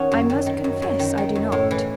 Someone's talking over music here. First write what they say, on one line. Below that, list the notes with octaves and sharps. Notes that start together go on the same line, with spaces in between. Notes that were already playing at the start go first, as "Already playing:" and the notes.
"I must confess I do not."
Already playing: D#3 C#4 D#4 F#4
F#2
D#3
D#3
F#2
F#2
D#3
D#3
F#2
A2
E3